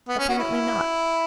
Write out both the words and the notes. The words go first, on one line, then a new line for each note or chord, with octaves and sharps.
Apparently not.
B3
C#4
F#4
E4